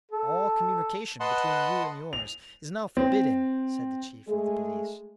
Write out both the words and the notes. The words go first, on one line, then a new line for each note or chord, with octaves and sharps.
"All communication between you and yours is now forbidden," said the chief of the police.
A4
B4 D#5 F#5 A5 C6
F7
C4
G#3 A3 G#4